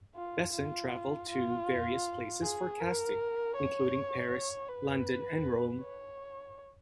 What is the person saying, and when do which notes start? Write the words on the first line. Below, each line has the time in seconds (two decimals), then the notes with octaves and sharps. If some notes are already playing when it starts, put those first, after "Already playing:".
Besson traveled to various places for casting, including Paris, London and Rome.
0.16 F4
0.53 F4
1.29 F4
2.42 G#4
2.80 A#4
3.56 C#5
4.31 C#5
4.69 B4
5.82 C#5